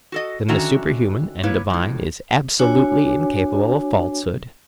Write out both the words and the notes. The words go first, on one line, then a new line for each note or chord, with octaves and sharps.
Then the superhuman and divine is absolutely incapable of falsehood?
F#4 A4 D#5
D3 D#3 C#4 F#4 E5 A#5
A#3 E4 B4 C#5
F2 A2
D4 F#4 C#5 G#5 D6